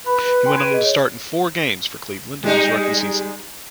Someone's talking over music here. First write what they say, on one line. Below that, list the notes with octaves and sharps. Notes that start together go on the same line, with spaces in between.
He went on to start in four games for Cleveland in his rookie season.
B4 B5
G5 G#5 C6
G#6 D7 D#7
G#4 D#5
C#5
G3 G#3 D#4